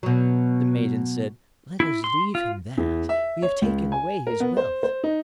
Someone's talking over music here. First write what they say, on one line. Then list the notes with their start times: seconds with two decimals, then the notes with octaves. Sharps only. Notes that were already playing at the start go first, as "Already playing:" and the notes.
The Maiden said: 'Let us leave him that; we have taken away his wealth.'
0.03 B2 F#3
1.80 E4
2.04 C6
2.35 F4
2.78 E2
3.09 E5
3.42 C#5
3.62 C#2
3.92 G#5
4.27 A#4
4.40 B3
4.57 C5
4.83 C5
5.04 D#4